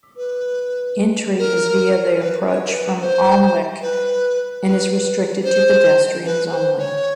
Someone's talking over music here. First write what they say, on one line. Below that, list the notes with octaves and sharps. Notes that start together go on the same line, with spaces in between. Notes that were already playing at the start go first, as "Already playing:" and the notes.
Entry is via the approach from Alnwick, and is restricted to pedestrians only.
B4
A#4
B4
C#5
A#4
B4
C5
B4
B4
C5
B4
C5
C#5